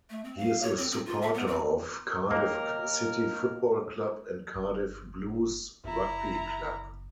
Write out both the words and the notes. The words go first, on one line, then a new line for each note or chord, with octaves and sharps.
He is a supporter of Cardiff City Football Club and Cardiff Blues Rugby Club.
A3
C4
F5
C#5
C4
C4
F4
E5
B3
C4
D#2 A#3 A#4
G1
F#1 E4 A#5